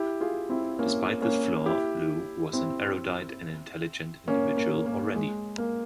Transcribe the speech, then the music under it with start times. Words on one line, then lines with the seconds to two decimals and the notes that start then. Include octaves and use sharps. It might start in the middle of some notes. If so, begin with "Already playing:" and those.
Despite this flaw, Lou was an erudite and intelligent individual already.
Already playing: E4 G4
0.21 F4 G#4
0.49 C4 E4
0.79 A#3 C#4
1.22 A#3 C#4
1.66 E4 G4
2.53 C4 E4
4.28 A#3 C#4
4.57 A#3
4.86 A#3
5.15 G#3
5.58 A#3